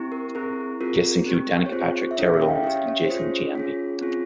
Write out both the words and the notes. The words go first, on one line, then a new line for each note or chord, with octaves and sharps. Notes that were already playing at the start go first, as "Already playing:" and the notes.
Guests included Danica Patrick, Terrell Owens and Jason Giambi.
Already playing: C4 E4 G4
A#4
C4 E4 G#4 A#4
C4 F4 G#4 A#4
C4 G4
C#5
C4 F4 G#4 C5
E5
C#4 E4 G#4 C#5
E5
G5
F5
C#4 G4 E5
C#5
C5
C#4 F4 G#4 C#5
C#4 F4 G#4
C4 F4 G#4